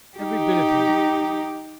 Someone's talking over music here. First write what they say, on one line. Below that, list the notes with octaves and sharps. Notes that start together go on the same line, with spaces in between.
Every bit of him.
D#4 G4